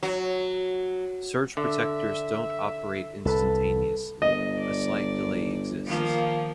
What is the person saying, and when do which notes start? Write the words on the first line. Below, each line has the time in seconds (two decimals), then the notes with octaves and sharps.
Surge protectors don't operate instantaneously; a slight delay exists.
0.03 F#3
1.57 D3 E5
3.25 C2 A4 B4 A5
4.22 G1 D#5
4.59 D5
5.86 D#3 F3 A#3